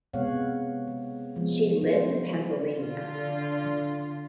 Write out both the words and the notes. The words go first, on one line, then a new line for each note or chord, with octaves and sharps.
She lives in Pennsylvania.
C3 G#3 B3 C#5 F5 F#5
F3 G#3 B3
F4 C5
D3 F4